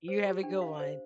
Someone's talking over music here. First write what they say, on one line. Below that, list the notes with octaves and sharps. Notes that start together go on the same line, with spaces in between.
you have a good one.
C5
G4
D4
F5
C5